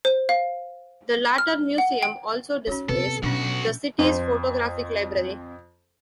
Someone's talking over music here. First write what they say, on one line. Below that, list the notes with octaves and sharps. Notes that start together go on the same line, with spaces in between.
The latter museum also displays the city's photographic library.
C5
F5
F6
F#5
G5
C#4 D#4 F#4 C#5
C3 B3 A4 B4
B1 B2 C#4 D4 F4 F#4
F2 C5